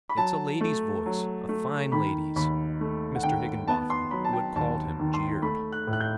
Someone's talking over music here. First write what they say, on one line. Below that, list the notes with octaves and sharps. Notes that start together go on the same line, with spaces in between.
"It's a lady's voice, a fine lady's," Mr. Higginbotham, who had called him, jeered.
B5
F#3 A5
A3
F#3
A3
D#3 B5
D#2 B5
A3
F#5
D#3 G5
B3 A5
C6
F#3 B5
A5
G5
D#2 A5
D#3
C6
A3 B5
F#6
A2
F#6
G6